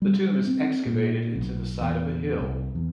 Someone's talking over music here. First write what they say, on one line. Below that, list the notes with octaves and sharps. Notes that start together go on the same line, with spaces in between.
The tomb is excavated into the side of a hill.
G3
C4
A#2
B1
E2
C2
E2